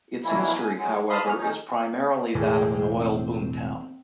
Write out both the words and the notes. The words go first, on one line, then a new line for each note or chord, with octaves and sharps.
Its history, however, is primarily that of an oil boomtown.
G2 B2 E3 F#3 A#3 E4
G#5
F#3 G#3
F5 A5 B5 C6 D#6
E2 F#3 B3 C#4 F#4 F6
E2 D#3 C#4 D#4
E1 A2 E3 G#4 G5
C4